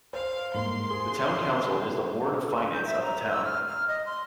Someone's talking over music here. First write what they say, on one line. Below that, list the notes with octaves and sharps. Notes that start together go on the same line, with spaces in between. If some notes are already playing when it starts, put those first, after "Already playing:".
The town council is the board of finance of the town.
C5 F5
G#2 A#3 C6
G#4
G6
E5
A#5
E6
F6
F6
D#5
C6